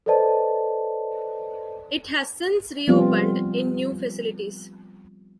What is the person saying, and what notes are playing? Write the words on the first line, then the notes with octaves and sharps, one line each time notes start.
It has since reopened in new facilities.
A4 B4 C5 D5 D#5 A5
F3 G3 B3 C4 F4